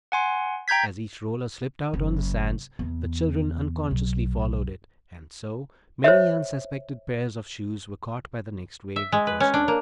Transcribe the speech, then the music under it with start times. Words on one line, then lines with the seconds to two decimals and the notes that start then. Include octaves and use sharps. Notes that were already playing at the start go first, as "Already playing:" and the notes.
As each roller slipped out on the sands the children unconsciously followed it, and so, many unsuspected pairs of shoes were caught by the next wave that washed in.
0.12 F#5 G#5 C6
0.68 G5 A#5 G6 G#6 B6
1.93 F#1
2.79 E2
3.91 B1
6.04 C5 C#5 E5
8.96 E5
9.12 G#3
9.27 B4
9.40 C#4
9.54 D4
9.68 A#3